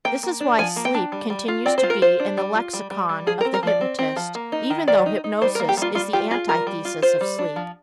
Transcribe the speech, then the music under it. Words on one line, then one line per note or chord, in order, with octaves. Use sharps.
This is why "sleep" continues to be in the lexicon of the hypnotist even though hypnosis is the antithesis of sleep.
A#3 G5
A#3
D4
F3 G#5
A#3
G5
D4
G3
G3
F4
C4 D5
C5
F4
A#4
F4 C5
D4
G3
F4
G3
G3
G3
F3 G#4
A#4
C4
A#4
F3 D5
C4
C4
F3
A#3
D#4
D#3
D#3 D5
D#4
D#4
G3 C5
A#4
A#3
G4
G3 F4
G3 F4
F4 G4
F4 G#4
G3 A#4
G3
F4
F4 C5
G3
D4
F3